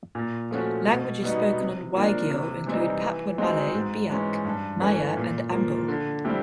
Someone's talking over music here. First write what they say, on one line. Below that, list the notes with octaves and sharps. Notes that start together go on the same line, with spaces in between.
Languages spoken on Waigeo include Papuan Malay, Biak, Ma'ya, and Ambel.
A#2
F3 A3 C#4 F#4
B2
G3 B3 D#4 F#4
C3
F3 A#3 D4
C3
E3 G3 C4 D#4
E3
G#3 C4 D#4 F#4
G#2
E3 G#3 C#4
G2
E3 A3 C#4
A#2
F3 A#3
D3
G3 C4 E4 G4